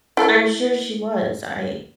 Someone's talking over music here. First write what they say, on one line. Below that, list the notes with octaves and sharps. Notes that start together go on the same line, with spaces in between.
I'm sure she was. I
E4 A4 A#4